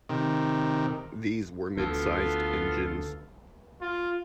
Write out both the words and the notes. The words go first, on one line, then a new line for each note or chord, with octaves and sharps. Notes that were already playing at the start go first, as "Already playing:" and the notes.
These were mid-sized engines.
C3 D#3
D2 B3 F4 A4
F4